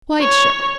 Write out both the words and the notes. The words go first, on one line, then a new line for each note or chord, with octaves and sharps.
'Quite sure.
C#5